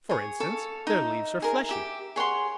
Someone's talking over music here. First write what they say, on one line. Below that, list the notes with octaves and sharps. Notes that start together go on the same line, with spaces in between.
For instance, their leaves are fleshy.
G#4 C#5
A4 C#5 F5
D#4 E5
G#4 A#4
G4 E5
G#4 C#5 F#5 C6